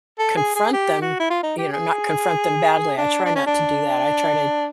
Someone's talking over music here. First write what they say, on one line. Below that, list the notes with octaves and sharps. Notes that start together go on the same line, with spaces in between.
confront them you know, not confront them badly, I try not to do that, I try to
A4
G#4
G#4
G4
F#4
E4
F4
D#4
G4
G#4
D4
D4
C#4
D4